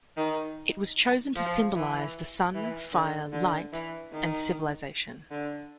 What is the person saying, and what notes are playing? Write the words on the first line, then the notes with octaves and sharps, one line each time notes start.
It was chosen to symbolize the sun, fire, light, and civilization.
D#3
F3
E3
E3
D3
D3
E3
D#3
D3